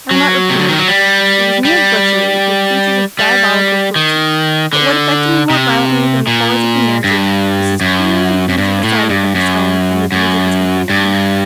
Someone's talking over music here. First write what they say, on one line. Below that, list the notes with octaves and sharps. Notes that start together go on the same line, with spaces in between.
I will not repeat it; it was mere butchery, with features of diabolic cruelty; but what affected me more violently than the horrors of the narrative was his cool and easy recital of his own and the deeds of his companions.
F#3
C3
D3
D#3
F#3
G3
G3
G3
D#3
D3
C3
A#2
G2
F#2
F#2
G2
A2
G2
F#2
F#2
G2